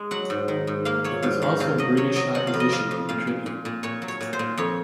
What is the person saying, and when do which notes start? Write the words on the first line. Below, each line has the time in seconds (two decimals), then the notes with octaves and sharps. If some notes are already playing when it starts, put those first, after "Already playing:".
There was also British opposition to the tribute.
Already playing: G#3
0.11 F#3 F#5
0.30 G#2
0.48 D#3
0.67 G#2
0.85 A#3 F5
1.04 F#3 C#5
1.22 G#2 F5
1.42 D#3 F5
1.60 C3 F5
1.78 F#3 D#5
1.97 F#3 C#5
2.16 F#3 D#5
2.35 C3 F#5
2.47 F5
2.54 F2
2.60 D#5
2.72 F2 F5
2.91 F2
3.09 A#2 F5
3.27 A#2
3.46 A#2
3.65 A#2
3.83 A#2 C#5
4.02 F#3
4.08 C#5
4.21 A#2
4.33 C5
4.39 A#2
4.57 F2 C#5